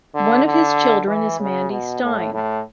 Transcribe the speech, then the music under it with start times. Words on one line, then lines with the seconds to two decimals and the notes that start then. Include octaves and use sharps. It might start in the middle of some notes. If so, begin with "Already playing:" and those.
One of his children is Mandy Stein.
0.14 D3
0.45 D3
1.07 E3
1.40 C#3
1.70 B2
2.02 A2
2.33 A2